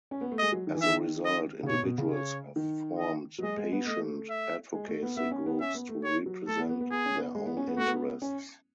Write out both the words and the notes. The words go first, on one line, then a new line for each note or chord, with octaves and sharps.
As a result, individuals have formed patient advocacy groups to represent their own interests.
C#4
B3
A3
G#3 D#5
F#3
D#3
E3
D#3 E5
D#5
C#3
B2 C#5
B2
C#3
C#5
D#3
D#5
F#3
G#3 D#5
G#3
B3
A3 D#5
E5
G#3
A3
B3
B3 E5
C#4
B3
C#4 E5
B3
A3
C#5
F#3
A3 A4
B3
B3
B3
B3 G#4
C#4
B3
G#3
B3
C#4
B3
A3 F#4
B3
C#4